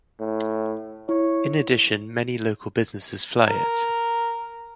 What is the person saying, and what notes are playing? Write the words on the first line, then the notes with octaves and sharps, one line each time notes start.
In addition, many local businesses fly it.
A2
E4 C#5
A#4